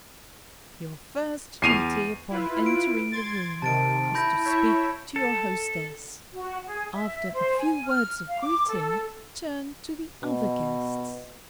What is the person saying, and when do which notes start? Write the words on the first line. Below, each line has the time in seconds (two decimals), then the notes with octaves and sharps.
Your first duty, upon entering the room, is to speak to your hostess. After a few words of greeting, turn to the other guests.
1.62 E2 C7 D#7 F7
2.30 E4 F4 B4
2.66 D7
3.12 C6 G#6 A6
3.62 C3 D#3 A5 A6 D7
4.15 E4 B5 G6 A#6
4.45 E4 C#5 E5 G6
5.16 A4
6.33 F#4
6.66 G#4
6.94 E5
7.33 C5
7.57 G#5
7.85 F6
8.28 F5
8.40 D6
8.68 A4
10.24 B2